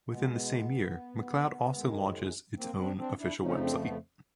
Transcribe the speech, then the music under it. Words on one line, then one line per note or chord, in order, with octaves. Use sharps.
Within the same year, McCloud also launches its own official website.
B2 G#3 B3
F#2 D#3 G#3
A#3 C4
C4 D4
C4 D4
D4 E4
F2 C#3 F3 A3 C#4 D#4
D#4
C4 D4
B3